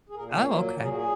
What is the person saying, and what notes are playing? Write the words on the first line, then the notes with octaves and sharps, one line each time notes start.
Oh, okay.
G#4
A#2 A#4
F#3 A#3 A#4
A#2 A#4
G#4
F#4
G#4